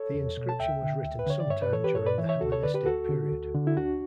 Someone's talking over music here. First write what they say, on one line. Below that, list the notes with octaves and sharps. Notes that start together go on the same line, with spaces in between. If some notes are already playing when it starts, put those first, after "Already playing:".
The inscription was written sometime during the Hellenistic period.
Already playing: A4 C#5
E2
B2
A5
D2 E5 G5
D3
D2
B4
D3 C#5
D5
G2 C#5 E5
B4 D5
E3 A4 C#5
G4 B4
G2 A4 C#5
B4 D5
E3 C#5 E5
C#5 E5
D2 F#4 A4
A4 C#5
D3 B4 D5
G4 B4
D2 F#4 A4
D3
D2
D3
E4
D2 D4 F#4